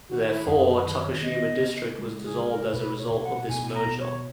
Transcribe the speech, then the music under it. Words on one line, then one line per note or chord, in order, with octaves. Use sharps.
Therefore, Takashima District was dissolved as a result of this merger.
D#3 F#4
E4
F#2 G#4
B4
D#3
C#5
B3 D#5
C#3
G#3
G#4
C#3
A#4
B2 B4
C#5
B2
F#5
B2 G#5
A#5
B2
C#5